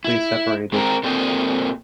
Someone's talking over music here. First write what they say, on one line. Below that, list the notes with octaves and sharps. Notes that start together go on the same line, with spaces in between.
They separated.
E4
G#3 C4 A4 A#4
A#2 C4 A4 C5 D#5